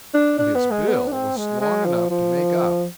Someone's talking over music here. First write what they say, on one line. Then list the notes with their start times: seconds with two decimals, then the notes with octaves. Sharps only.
But his bill was long enough to make up.
0.14 D4
0.39 D4
0.55 B3
0.71 G#3
0.88 B3
1.07 D4
1.12 C4
1.37 G#3
1.61 G#3
1.85 F3
2.10 F3